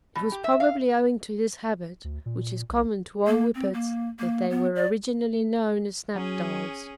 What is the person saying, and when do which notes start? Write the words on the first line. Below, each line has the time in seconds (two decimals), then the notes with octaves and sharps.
It was probably owing to this habit, which is common to all Whippets, that they were originally known as Snap-Dogs.
0.15 B2
0.32 G4
0.44 E5
0.60 F5
2.04 D2
2.26 A#2
2.69 B1
3.27 A#3
3.55 C4
3.74 A#3
4.19 A#3
4.50 B3
4.76 D5
6.15 F#3 C#4 G#4